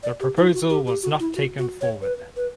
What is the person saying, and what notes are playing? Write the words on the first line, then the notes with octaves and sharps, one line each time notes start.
The proposal was not taken forward.
D5
G4
E4
F#4
G4
G4
F#4
E4
F#4
F#4
C#5
B4
B4